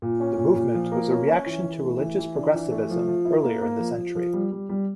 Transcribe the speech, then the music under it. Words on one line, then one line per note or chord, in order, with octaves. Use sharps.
The movement was a reaction to religious progressivism earlier in the century.
A#2
C#4
A#2
A#2
F3
A#3
C#4
C#4
E3
E3
A3
E3
E3
D4
E3
A3
F3
F3
E4
A#3
A#3
F3
F3
F3
G3
G3
G3